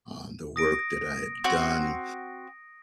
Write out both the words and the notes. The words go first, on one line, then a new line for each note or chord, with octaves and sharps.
uh, the work that I had done.
D#6 A#6 D7
C4 F#4